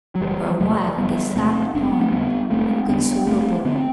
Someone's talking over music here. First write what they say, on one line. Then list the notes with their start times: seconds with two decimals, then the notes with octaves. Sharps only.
For a while they sat on, inconsolable.
0.15 F#3
0.21 F#1 E3 G3
0.60 E2 C3 F#3 A3
0.98 F#1 G3 B3
1.36 E2 C3 A3 C4
1.75 F#1 D4
1.83 C4
1.92 B3
2.00 A3 C4
2.12 E2 D3 G3 B3
2.51 F#1 A3 C4
2.89 E2 D3 B3 D4
3.26 F#1 A3 C4
3.65 D3 B3
3.76 C4